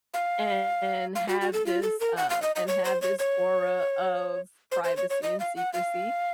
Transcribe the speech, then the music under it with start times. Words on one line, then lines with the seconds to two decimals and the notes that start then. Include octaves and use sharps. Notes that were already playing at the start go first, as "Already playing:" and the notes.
and have this, um, and have this aura of privacy and secrecy.
0.14 F5
1.15 F5
1.29 F#4
1.41 F#4
1.53 A4
1.66 F4
1.83 A4
2.00 A#4
2.17 F#5
2.30 F5
2.42 D#5
2.56 D#5
2.68 C#5
2.85 C5
3.02 C#5
3.19 C#5
4.72 C5
4.84 C5
4.97 C#5
5.10 C#5
5.23 D#5
5.40 F5
5.56 F#5
5.73 F5